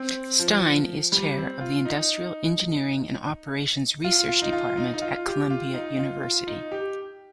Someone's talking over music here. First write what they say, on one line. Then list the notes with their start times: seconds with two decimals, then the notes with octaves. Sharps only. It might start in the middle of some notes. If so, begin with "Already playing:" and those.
Stein is chair of the Industrial Engineering and Operations Research Department at Columbia University.
Already playing: C4
0.39 F3
1.12 G3
1.37 C4
1.61 F4
1.85 D#4
4.04 F4
4.28 F4
4.42 D#4
4.53 F4
4.77 D#4
4.94 D#4
5.02 F4
5.26 G4
5.50 F4
5.74 D#4
5.99 F4
6.23 F4
6.47 D#4
6.72 G4